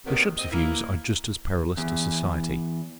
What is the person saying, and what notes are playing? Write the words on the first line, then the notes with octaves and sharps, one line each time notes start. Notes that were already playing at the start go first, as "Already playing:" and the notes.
The Bishop's views are just as perilous to society.
C3 D#3 F#3 A#3 B3
C4 D#5
A#3 E4
E2